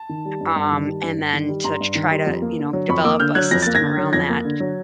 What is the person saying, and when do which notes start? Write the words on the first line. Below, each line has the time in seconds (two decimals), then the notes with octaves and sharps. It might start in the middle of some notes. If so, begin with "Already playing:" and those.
um, and then to try to, you know, develop a system around that,
Already playing: A5
0.09 D#3
0.25 G3
0.41 G2
0.56 G2
0.71 D#3
0.87 G3
1.03 G2
1.18 G2
1.33 D#3
1.49 G3
1.64 G2 A#5 C6
1.80 G2
1.95 D#3
2.11 G3
2.27 F2
2.42 A#3
2.59 D3
2.73 F#3
2.89 F2 B5 C#6
3.04 A#3 D6 E6
3.20 D3 F6 G6
3.35 F#3 F#6 G#6
3.51 F2 A#6
3.62 A#3 A6
3.75 G#6 A#6
3.82 D3
3.97 F#3
4.13 F2 G#6 A#6
4.29 A#3
4.45 D3
4.60 F#3